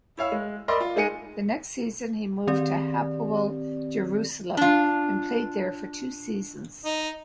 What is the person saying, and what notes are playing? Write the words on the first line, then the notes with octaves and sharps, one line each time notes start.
The next season, he moved to Hapoel Jerusalem and played there for two seasons.
E4 C#5 F5 E6
G#3
A#4 D5 D#5 B5 C6 E6
F4
G#3 D#4 G#4 C#7 D#7
D#3 C4 G4 D5
D4 F4
D#4